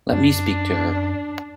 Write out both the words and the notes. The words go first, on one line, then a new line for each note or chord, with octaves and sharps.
Let me speak to her.
F#2 D4